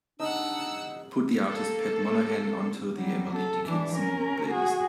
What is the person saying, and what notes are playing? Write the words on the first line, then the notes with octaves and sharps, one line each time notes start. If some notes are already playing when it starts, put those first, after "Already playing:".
Put the artist Pat Monahan onto the emily dickinson playlist.
D4 D#4 F#5 E6
A3 A#3 A4
F#3 G3
A4
E3 D4
C#4 A#4
F#4 G#4